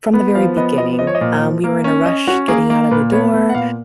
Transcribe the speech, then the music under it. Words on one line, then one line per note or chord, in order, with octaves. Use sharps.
from the very beginning, um, we were in a rush getting out of the door,
B3
F3 F5
B3 D#5
F3 D#5
F3 D#5
C#5
D#5
A#2
F3
A#3
C#4
C#4 D#5
C#4 F#4
A#3 G#4
A#3
A#2 B4
B3 C#5
B3
F#5
A#2 F5